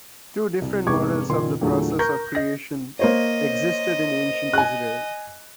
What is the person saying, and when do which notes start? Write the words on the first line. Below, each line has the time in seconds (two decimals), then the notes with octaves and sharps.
Two different models of the process of creation existed in ancient Israel.
0.62 C2
0.87 F1 G#2 B3 C#6 D6 G#6
1.29 F#1 A#2 D#3 C6
1.61 E2 A#2 D3 F#3 A3
1.99 A#4 A#5 C#6 G6 A#6
2.35 D#5 A#6
2.99 A#3 C5 C#5 D#5
4.53 G#5 F#6